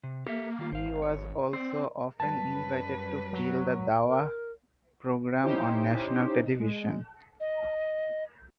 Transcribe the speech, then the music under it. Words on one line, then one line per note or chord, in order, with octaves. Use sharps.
He was also often invited to fill the dawah programme on national television.
C3
A#3 G4 A4 E5
D#3 G3 F4
G#1 C5 F5
C#5
C4 C5 D5
F#2 G3 B4 A5
F#3
A#4
C#4 D#4 E4 G4 C5
G#3
D#5